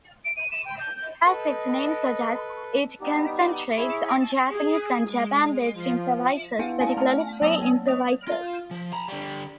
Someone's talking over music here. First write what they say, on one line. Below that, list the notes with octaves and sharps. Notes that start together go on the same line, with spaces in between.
As its name suggests, it concentrates on Japanese and Japan-based improvisers, particularly free improvisers.
D7
D#7
E7
G5
G6
G6
A4 B4 D#5
G3 B3 D#4 G4
E4 G#4 C#5 E5 B5 C#6
G#4
G#3
F3
B3 E4 B4 F5 F#5
C#4 E4 D5 F5 F#5
A3 A5 F6
F#3 B3 C#5 D5 A5 E6
A#3
C#5 D#5 D#6 F7
F4 F5
F3
A#5 B5
D3 G3